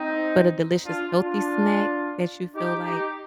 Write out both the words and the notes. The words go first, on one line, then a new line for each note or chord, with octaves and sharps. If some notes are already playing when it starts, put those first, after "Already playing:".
but a delicious healthy snack that you feel like
Already playing: C4 D#4
D4 F4
D4 F4
D#4 G4
D#4 G4